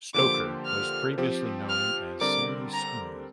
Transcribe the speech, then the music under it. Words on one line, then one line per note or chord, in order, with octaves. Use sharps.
Stoker was previously known as Sammy Smooth.
D3 F3 A#3 G4 C5 D6
F6
F3 C4 G4
F6
D3 G3 C4 A#4 D5 D6
A#5